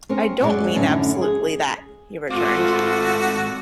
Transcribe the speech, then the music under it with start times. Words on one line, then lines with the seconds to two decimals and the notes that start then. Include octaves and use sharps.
"I don't mean absolutely that," he returned.
0.09 C4 C#4 A#4
0.41 F#2 F#3 G#3 A4 C#5 D5
0.74 F#2 A2 D3 A3 C#4 D#4
1.21 G#4
2.30 G#2 A3 C4 F4 F#4 D6